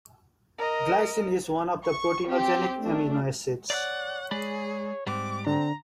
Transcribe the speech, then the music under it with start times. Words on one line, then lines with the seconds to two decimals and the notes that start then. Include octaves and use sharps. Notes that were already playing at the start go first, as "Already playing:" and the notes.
Glycine is one of the proteinogenic amino acids.
0.58 A#4 D#5
1.85 C#6
2.29 C4 G4
2.79 A3 D4
3.70 C#5 D5 F#5
4.31 G#3 G#4 D5 B5
5.07 G#2 G3 C4 D6
5.47 D3 C4 D4 A#5